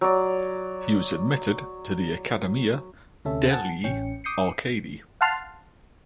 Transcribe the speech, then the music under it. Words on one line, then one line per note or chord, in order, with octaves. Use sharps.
He was admitted to the Accademia degli Arcadi.
F#3 D5
D2 C3 C#4 A4 E5
F#5 G#5 A5
A1 C#4 G5 C#7
D6 D#6 G6 C7 C#7
F5 F#5 A5 C6 F6